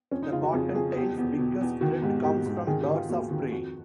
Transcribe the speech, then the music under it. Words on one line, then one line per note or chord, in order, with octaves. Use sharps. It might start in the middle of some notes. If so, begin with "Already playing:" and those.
The cottontail's biggest threat comes from birds of prey.
F2 C#4
D#4
C#3 F4
F#4
F2 G#4
F2 G#4
E2 G4
E2
B2
E2
D#3 F#4
G#2 G4
G#2 G4
G#2
D#3 G#4
G4
D#3
F4
D#2 F#4
D#3 F#4
F2 F#4